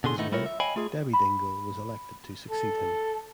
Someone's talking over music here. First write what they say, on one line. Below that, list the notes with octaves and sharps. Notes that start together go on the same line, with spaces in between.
His wife, Debbie Dingell was elected to succeed him.
B2 D3 G#4 C6
D3 D#3 A3 B3 D#4 E4
G3 A3 E4 F4 A#4 C#5
E5
C#5 D#5 F5 G5 G#5 B5
A3 F4 G#4
B5
A4